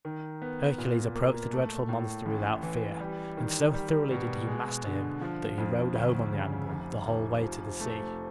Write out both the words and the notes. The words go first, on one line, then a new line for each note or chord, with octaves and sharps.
Hercules approached the dreadful monster without fear, and so thoroughly did he master him that he rode home on the animal the whole way to the sea.
D#3
B3
A#2
A#3
A3
A2
A1
E3
G3
D#3
G3
B2
G#3
D3
F3
F2
D2
C#3
F1
F1
F3
A3